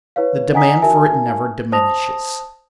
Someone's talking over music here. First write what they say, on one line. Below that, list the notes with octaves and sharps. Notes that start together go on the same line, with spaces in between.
The demand for it never diminishes.
E4 B4 C#5 F5
D#5 F#5 G#5 A#5 D#6 B6
D#4 F#4 A#4 E5 G#5 A5
C5 A5 D#6 A#6 F7